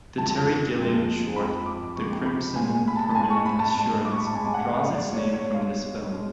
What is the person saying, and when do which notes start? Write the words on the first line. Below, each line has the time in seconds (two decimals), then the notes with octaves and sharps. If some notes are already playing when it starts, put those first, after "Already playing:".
The Terry Gilliam short, "The Crimson Permanent Assurance," draws its name from this film.
0.17 F2 F3 G#3 A5
0.77 F2 F3 G#3
1.36 F2 F3 G#3 B5
1.66 D6
1.96 F2 F3 G#3 C#6
2.26 B5
2.55 A2 G#5
2.59 G#3
2.75 G#5
2.88 B5
2.96 A5
3.11 A5
3.15 A2 G#3 G#5
3.30 C#6
3.46 B5
3.59 A5
3.75 A2 G#3
4.05 D6
4.12 C#6
4.20 B5
4.26 A5
4.34 A2 G#3 G#5
4.48 G#5
4.54 F#5
4.65 F#5
4.74 F5
4.93 B2 D5
4.98 G#3
5.13 C#5
5.34 C#5
5.53 B2 G#3 F5
6.13 B2 G#3